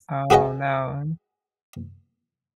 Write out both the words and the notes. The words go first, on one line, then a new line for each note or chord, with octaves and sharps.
Oh no,
F#4 G#4 B4 D#5 F#5